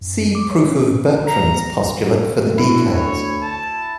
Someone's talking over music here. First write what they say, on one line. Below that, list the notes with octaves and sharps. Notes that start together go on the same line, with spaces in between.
See proof of Bertrand's postulate for the details.
F#2
D6
C#5
C#4
A#5
D2 E4 F#4
C#5
A5